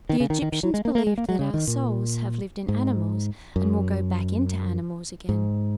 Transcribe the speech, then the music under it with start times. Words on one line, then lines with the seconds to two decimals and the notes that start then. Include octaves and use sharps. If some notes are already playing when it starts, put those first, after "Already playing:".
"The Egyptians believed that our souls have lived in animals, and will go back into animals again."
0.09 D#3
0.20 C#3
0.30 D#3
0.42 D#3
0.52 D#3
0.63 F#3
0.74 G#3
0.85 A#3
0.95 A#3
1.07 G#3
1.18 A#3
1.29 F#3
1.39 C#3
1.54 D#3
1.67 A#2
2.68 G#2
3.56 F#2
5.29 G#2